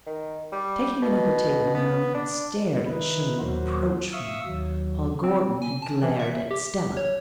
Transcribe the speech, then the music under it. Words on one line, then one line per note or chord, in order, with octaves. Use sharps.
Taking another table, Marilyn had stared at Shirley reproachfully while Gordon had glared at Stella.
D#3
G3
B2
B3
D4
D#3 D#4 E4 B4
D#2 A#2 F#3 A#3 F#4 C5
E5 F5 C#6 D#6 E6
D#2 F#3
C4
G#5
A5
E3
E5
G4
C#5